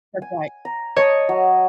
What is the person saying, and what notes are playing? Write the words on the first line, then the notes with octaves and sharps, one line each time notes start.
That's right.
G#5
A#5
C#5 D#5 A5 D#6
F#3